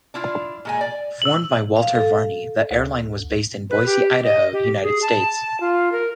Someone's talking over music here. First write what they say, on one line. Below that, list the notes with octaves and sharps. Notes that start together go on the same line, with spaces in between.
Formed by Walter Varney, the airline was based in Boise, Idaho, United States.
D4 E4 F4
A#2 G#3 G#5
D5
E6 F#7
F5
A4
D2
B4
G4
D#5
G4
G#4
A5
F4
A#4